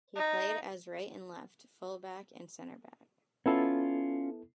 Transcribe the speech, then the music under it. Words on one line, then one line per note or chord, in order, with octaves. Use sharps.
He played as right and left full back and centre back.
D#4
B3 C#4 E4 F4 A4